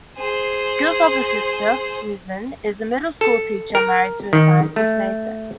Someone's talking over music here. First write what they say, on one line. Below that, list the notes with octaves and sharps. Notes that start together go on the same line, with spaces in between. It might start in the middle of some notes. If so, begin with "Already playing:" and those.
Gil's other sister, Susan, is a middle school teacher married to a scientist, Nathan.
G#4 C5
A4
A#4
D#3
A3